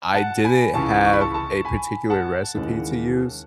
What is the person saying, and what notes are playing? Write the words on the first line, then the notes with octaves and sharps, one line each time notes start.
I didn't have a particular recipe to use
F#5 A5
G#5 B5
C#2 C#3 E3 A5 C#6
C#6
B5
A5 C#6
A5 C#6
G#5 B5
F#5 A5
D#2 C#3 E3 G#3